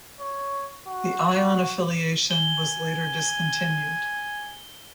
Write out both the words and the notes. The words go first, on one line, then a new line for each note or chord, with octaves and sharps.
The Ion affiliation was later discontinued.
C#5
F#4
G#5 G7